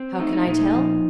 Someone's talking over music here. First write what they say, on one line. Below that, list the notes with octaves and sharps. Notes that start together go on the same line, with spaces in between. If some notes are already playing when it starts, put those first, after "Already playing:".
How can I tell?
Already playing: C4
A3 D#4
D#4
A#2 D#4
F3